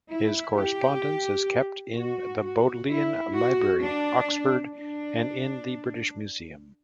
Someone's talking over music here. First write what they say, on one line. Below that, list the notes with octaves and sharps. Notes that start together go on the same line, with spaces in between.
His correspondence is kept in the Bodleian Library, Oxford and in the British Museum.
E4
G4
F#4
F#4
E4
F#4
D4
D4